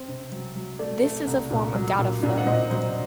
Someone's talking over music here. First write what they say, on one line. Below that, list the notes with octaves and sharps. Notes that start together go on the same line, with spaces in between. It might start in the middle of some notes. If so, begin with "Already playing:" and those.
This is a form of dataflow.
Already playing: C4
C3
F#3
F#3
A3 D5
A3
C2
A#2
F#3
A#2
A#2 D5
F#5
A#2 C5 D#5
F#3 C5